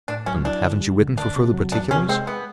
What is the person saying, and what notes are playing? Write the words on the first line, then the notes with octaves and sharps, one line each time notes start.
"And haven't you written for further particulars?"
A2 D4
F#3 C#4
D4 E4
D3
G3
D3
D2 D4
C3
F#3
E2 D4
C3 C#4
G#3 C4
B3